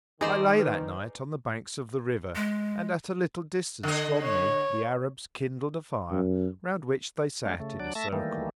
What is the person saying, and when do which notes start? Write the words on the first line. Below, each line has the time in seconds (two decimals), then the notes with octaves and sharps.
I lay that night on the banks of the river, and at a little distance from me the Arabs kindled a fire, round which they sat in a circle.
0.21 D#3 D#4 G#4 C5 D5 A#5 B5
0.59 B4
2.36 G#3
3.83 D3 D#5
4.23 C#5
6.11 F#2
7.45 G3 A3 C#4 D4 F5
7.60 C#3 A3
7.80 F#3 D4 D5
7.95 A3 E5 A5 A#6
8.13 D#3 E3 G3 A3 A#3